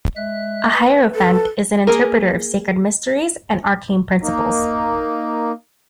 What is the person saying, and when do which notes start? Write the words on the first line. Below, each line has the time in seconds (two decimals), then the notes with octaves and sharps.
A hierophant is an interpreter of sacred mysteries and arcane principles.
0.16 G#3 E5 F#6
0.73 B4
1.15 A4
1.87 A#3 G#4 A#4
4.22 A#3 D#4